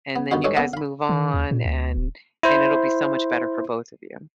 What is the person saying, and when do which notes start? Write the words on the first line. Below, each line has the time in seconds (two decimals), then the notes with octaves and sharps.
and then you guys move on, and and it'll be so much better for both of you.
0.16 B3
0.31 G2 D3 D#3 B3 D#4 F#4
0.44 G2 G#3 D4 A4 C#5 D#5
0.56 A#3 B3 A4 D#5 F#5
0.73 F5 B5
1.09 D#3
1.34 D#2
1.51 A#2
1.65 D2
1.97 D1
2.43 E4 C5